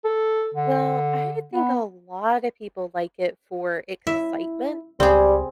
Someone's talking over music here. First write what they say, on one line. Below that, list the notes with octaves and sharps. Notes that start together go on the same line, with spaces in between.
Well, I think a lot of people like it for excitement
A4
D3
B3
E4 E5
C#2 G3 C4 G#4